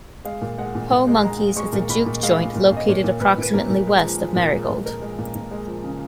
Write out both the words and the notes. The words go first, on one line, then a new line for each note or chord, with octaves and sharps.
Po' Monkey's is a juke joint located approximately west of Merigold.
G#3 F5
A#2
G#3 F#5
A#2
A#2
G#3
G#3 A#5
G#3
G#3 C#6
A#2
A#2 B5
A#2
G#3 F5
G#3
A#2
A#2
D#5
A#2 C#5
A#2
A#2 B4
A#2 B4
A#2 A#4
A#2
G#3
F3
G#3
A#2
G#3
A#2
G#3 A#4
G#3
A#2
A#2
G#3
F3
C#3